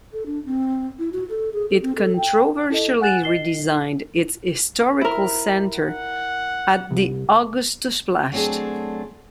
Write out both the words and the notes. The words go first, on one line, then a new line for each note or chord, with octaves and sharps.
It controversially redesigned its historical centre at the Augustusplatz.
A4
D4
C4
E4
F#4
A4
G#4
A4
C4
A4
G5
E4 A4 D#5
F#5 G#5 F#6 A6 E7
D#5 C7 G7
E4 A#4
F#5
C2
F#3 A3 C4 D4 G#4